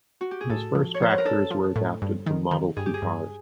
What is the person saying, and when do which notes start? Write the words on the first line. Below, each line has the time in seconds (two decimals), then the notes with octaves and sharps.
His first tractors were adapted from Model T cars.
0.21 F#4
0.31 G4
0.41 G#4
0.50 A2 A4
0.75 F3
0.94 C#5
1.01 F3 C5
1.10 B4
1.18 A#4
1.25 D4 A4
1.51 F3
1.76 A2
2.02 G2
2.26 D#3
2.51 D#3
2.77 G2 G#4
2.86 G4
2.94 G#4
3.02 G2